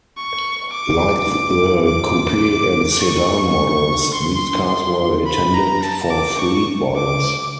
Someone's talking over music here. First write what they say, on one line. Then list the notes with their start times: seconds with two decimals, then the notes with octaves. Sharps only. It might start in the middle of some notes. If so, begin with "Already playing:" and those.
Like the coupe and sedan models, these cars were intended for fleet buyers.
0.17 C#6
0.73 D6
1.86 D6
3.00 C#6
4.13 C6
5.26 B5
5.54 A#5
5.83 A5
6.10 D6
6.39 C#6
6.96 D6